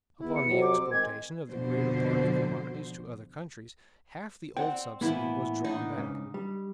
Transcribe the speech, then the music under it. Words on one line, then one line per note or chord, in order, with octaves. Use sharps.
Upon the exportation of the greater part of commodities to other countries, half the old subsidy was drawn back.
E2 E4
C#7
F2 C3 F#3
D6
C4
D#3 G#3 C4 G#6
F2 B2 D3 F3 C5
C4 D5 F#5 G5
A2 E3 A#3 B3 E4 B5
D4 D#4
G#2 C#3
G3